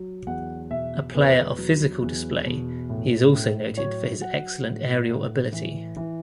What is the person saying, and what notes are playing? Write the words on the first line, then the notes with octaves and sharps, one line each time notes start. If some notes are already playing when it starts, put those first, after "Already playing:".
A player of physical display, he is also noted for his excellent aerial ability.
Already playing: F#3
E2 F#5
B2 E5
E2 B4
F#3
E2
B2
A2
A2
F#3 C#5
F#3 F#5
A2
A2
E3
E3